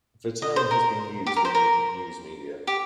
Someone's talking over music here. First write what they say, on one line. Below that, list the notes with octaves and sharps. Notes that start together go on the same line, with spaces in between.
The term has been used in the newsmedia.
D#5
C5
A#4
G4
A#4
C5
A#4
G4